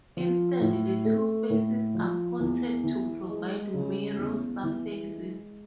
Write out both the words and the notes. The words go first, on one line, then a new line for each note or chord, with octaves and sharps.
Instead, the two faces are coated to provide mirror surfaces.
F3
A2
A3
A2
F3
E2
E3
G#3
C#3
E2
E3
G#3